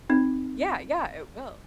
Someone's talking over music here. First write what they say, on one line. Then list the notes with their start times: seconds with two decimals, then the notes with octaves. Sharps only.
Yeah, yeah, it will.
0.10 C4 D#4